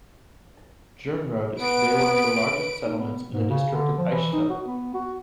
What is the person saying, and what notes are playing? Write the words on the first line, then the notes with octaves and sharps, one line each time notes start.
Gernrode is today one of the largest settlements in the District of Eichsfeld.
B3 B4 D7
D#4
B3
G#2
C#3
D3
F3
E3
D#4
F#4
B3
F#4